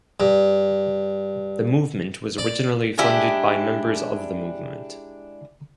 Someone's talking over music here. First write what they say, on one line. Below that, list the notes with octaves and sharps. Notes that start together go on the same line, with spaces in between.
The movement was originally funded by members of the movement.
G2
D5
G#3 D4 E4 G4